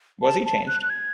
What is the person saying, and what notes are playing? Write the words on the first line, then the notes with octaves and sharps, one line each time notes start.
Was he changed?
A5
A5
F#6
F#6
G#6